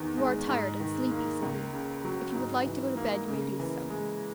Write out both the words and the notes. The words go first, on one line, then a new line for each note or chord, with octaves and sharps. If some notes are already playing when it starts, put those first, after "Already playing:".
"You are tired and sleepy," said he; "if you would like to go to bed you may do so."
Already playing: E2 D#3 E3
G#3
G#2
D#3
A#3
C#2
C#3
F#3
G#2
E3
A#3
C#3
E3
G#3